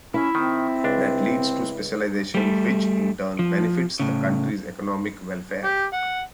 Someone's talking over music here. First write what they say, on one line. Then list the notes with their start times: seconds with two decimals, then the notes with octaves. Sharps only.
That leads to specialization, which in turn benefits the country's economic welfare.
0.14 C#4 E4 E5
0.35 D#3 C4
0.84 C#2 D4
2.34 G3 A3
3.39 F3
3.99 A2 C#3
5.64 G4
5.93 F#5